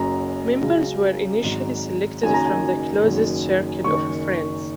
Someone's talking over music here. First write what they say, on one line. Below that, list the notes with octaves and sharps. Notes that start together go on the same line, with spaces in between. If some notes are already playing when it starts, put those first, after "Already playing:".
Members were initially selected from the closest circle of friends.
Already playing: F#1 F#2 F#3 A#5
C#2 C#3 F#3
G#1 G#2 F#3
F#1 F#2 D#3 F#3 G#5
A#5
G#5
F#1 F#2 D#3 F#3
F#1 F#2 D#3 C#6